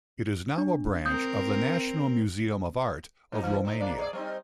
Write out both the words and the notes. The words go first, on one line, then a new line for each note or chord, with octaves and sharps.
It is now a branch of The National Museum of Art of Romania.
D4
C4 A#4 D#6 G6
G#2 D#4
E3
C4 D#4
A#3 D4 D5
G#4 C#5 D5
G3 C4 D#4